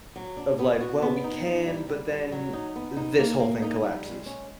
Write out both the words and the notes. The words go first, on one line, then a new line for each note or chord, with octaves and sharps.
of like, "Well, we can, but then this whole thing collapses."
F#3
D4
B3
F#4
B3
D#4
D#4
G3
G3
G3
F#3
D#4
B3
D#4
A#3
A#3
D#4
G3
G#3
C#4